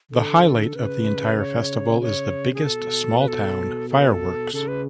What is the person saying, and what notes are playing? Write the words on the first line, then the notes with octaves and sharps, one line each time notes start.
The highlight of the entire festival is The Biggest Small Town Fireworks!
D3 A4
C#3 B4
C#5
C#5
G#4
B2 A4
B4
A4
A4
B4
A4
C#3 A4
B4